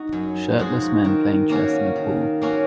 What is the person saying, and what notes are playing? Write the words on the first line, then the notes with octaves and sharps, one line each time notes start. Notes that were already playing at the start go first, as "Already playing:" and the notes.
Shirtless men playing chess in a pool.
Already playing: D#4 F#4
F#2
F3 G#3 D#4 F#4
D#3
A#3 C#4 F#4
D#3
A#3 C#4 F#4